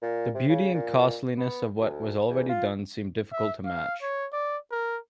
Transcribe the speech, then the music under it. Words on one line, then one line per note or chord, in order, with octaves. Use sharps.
The beauty and costliness of what was already done seemed difficult to match.
A#2
C3
C#3
A#2
B3
D2
E2
F4
E5
F5
C#5
D5
A#4